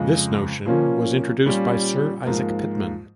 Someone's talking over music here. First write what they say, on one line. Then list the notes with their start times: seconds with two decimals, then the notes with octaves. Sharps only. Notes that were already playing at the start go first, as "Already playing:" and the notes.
This notation was introduced by Sir Isaac Pitman.
Already playing: F2 C#3 G#3
0.65 A#2 F3 A#3 C#4
1.45 A#2 G3 C#4 F4
2.25 G#2 F3 A#3